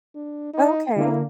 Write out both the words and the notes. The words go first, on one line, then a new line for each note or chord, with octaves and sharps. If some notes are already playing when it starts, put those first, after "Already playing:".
Oh, okay
D4
D#4
D3 A#3 E4